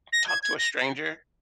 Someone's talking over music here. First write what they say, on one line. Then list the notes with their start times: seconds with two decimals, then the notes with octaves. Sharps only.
talk to a stranger?
0.13 A#6
0.28 G#6
0.43 G#6
0.58 A#6